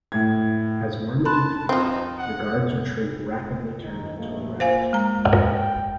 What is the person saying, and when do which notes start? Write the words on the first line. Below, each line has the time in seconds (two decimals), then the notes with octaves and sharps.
As Marmaduke feared, the Guard's retreat rapidly turned into a rout.
0.12 A2 G#6
1.25 A5 B5 C6 F#6
1.69 F3 C4 D#4
2.18 F#5
3.84 D#3 D#4
4.18 A#1 A3 A#3
4.60 A#3 F4 C5 F5 G#5
4.93 G#3 A#5
5.45 G5